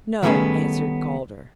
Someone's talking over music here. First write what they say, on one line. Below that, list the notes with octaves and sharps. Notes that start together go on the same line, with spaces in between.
"No," answered Calder.
D#3 G3 A3 B3 C#4 G#4